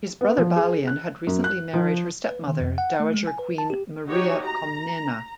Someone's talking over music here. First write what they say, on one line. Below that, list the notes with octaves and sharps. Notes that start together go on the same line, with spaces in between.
His brother Balian had recently married her stepmother, Dowager Queen Maria Comnena.
B3
F3
G#4
F#6
F#2
F#6
F3
B4
D#3
F2
F#5
A3
G#3
G#5
B4
A5
G4
D#4 F#4 G4 C#5
A#5